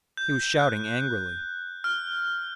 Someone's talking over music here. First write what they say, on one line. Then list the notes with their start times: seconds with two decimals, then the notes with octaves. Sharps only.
He was shouting angrily.
0.17 G6
0.59 F#6
1.84 F6